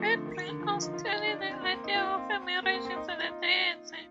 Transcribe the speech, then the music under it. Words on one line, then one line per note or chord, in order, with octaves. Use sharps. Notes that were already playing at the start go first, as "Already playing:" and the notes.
It brings out clearly the idea of her marriage to the deity.
Already playing: F3 A3 C4 D#4
D3
D#3
D#3
D3
F3
F3
D#4
F4
D#4
D#4
D4
D4
C4
A#3
C4
D#4
F4
F4
C4
A#3
C4
C4
D#4
D#4
F4
D#4